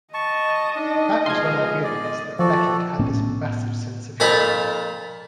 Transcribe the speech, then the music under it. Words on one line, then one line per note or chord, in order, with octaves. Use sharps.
That was when I realised that Beckett had this massive sense of humour.
D#5 A5 C#6
D4 D#4
F3 G#3 B3 F5 C6 G#6
D5
F3 F#4 A4 C5 D5
A2 B3 C#4
F2 A#2 D#4 F4 A4 B5